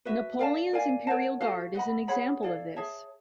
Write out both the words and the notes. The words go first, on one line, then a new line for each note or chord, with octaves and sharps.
Napoleon's Imperial Guard is an example of this.
F#4 B4 E5
A#4 D5 F5 A5
A#4 D5 F5 G#5
A#4 C#5 F#5 A5
F#4 A4 C5 F5
B4 D#5 F#5 B5
G#4 C#5 F#5 B5
E4 A4 D5 F5
G#4 C#5 E5 A5